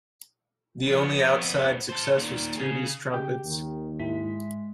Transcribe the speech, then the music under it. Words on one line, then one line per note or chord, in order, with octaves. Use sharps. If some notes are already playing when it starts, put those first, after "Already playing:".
The only outside success was "Tutti's Trumpets".
F2 B3
A4 C5
A#2 D#3
C#3 G#4
C#3 G4 G5
D#2 D#3
G#2 G#3 E4 B6